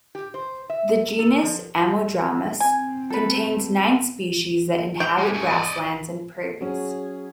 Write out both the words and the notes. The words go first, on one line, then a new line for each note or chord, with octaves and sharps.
The genus "Ammodramus" contains nine species that inhabit grasslands and prairies.
G4
C5
E5
A4
F3
C4 G#5
A4 B4
G5
G3 G#3
A3 C#4
D5 D#5
F#3 C#4 G#4